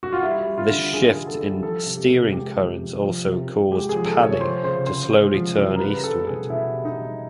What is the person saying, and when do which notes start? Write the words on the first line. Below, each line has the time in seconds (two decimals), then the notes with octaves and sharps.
This shift in steering currents also caused Pali to slowly turn eastward.
0.03 F#4
0.12 F4
0.23 G3 E4
0.46 G3
0.58 F4
0.70 D3
0.94 D3 G#4
1.11 G3 G#4
1.27 A4
1.40 G3
1.63 F3 A4
1.86 C3
1.97 G4
2.09 C3
2.32 G#3 G4
2.56 F3
2.78 C3
3.02 F3
3.24 C3
3.48 C3
3.71 G#3 G4
3.89 F3 G#4
4.06 A4
4.18 C3 C#5
4.41 F3 C5
4.63 C#3 C5
4.87 C#3 C5
5.10 G#3
5.34 F3
5.56 C#3
5.76 A#4
5.80 G3 B4
6.04 G3 A4
6.26 B2 G#4
6.50 B2 E4
6.72 G3
6.85 D#4
6.95 G3